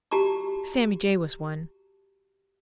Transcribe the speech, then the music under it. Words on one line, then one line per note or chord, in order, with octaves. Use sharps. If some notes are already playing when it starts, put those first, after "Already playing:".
Sammy Jay was one.
F#4 G4 A5 A#5 D6